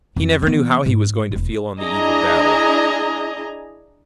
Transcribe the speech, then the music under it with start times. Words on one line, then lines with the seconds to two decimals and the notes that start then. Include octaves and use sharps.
He never knew how he was going to feel on the eve of battle.
0.16 F2
0.42 E3 B3
0.86 G#2
1.31 E1 E4
1.82 D4 E4 G#4 D#5 G#5 A#5